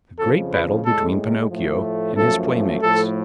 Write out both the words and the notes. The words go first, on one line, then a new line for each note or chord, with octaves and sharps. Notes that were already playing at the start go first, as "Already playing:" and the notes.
The great battle between Pinocchio and his playmates.
F2 C#3 F3 A4
B4
A2 G#3 A4
A2 F3 A3
F#2 F3 A3 A4
A2 F3 A3 A4